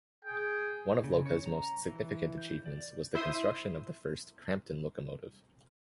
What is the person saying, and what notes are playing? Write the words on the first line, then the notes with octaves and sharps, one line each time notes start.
One of Lowca's most significant achievements was the construction of the first Crampton locomotive.
G#4 G5
C#3
C#5
A#5
E3
G6
D5
E4 C5 E5 C6 D#6